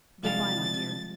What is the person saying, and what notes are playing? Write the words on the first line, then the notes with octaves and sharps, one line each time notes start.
"Good-bye, my dear."
C2 F3 G3 G#3 D4 F5 A6